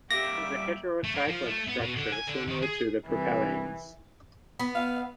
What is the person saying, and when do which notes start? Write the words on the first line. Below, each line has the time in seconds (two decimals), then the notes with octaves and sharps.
It is a heterocyclic structure similar to the propellanes.
0.11 G3 A#3 G4 E5 D6 A#6
1.04 A3
1.15 A#3
1.28 F3
1.47 A3
1.68 B3
1.81 B2
1.97 D3
2.12 G#5
2.27 D3
2.48 D#3
2.62 G#4
3.07 C2 E3
4.59 B3
4.75 F5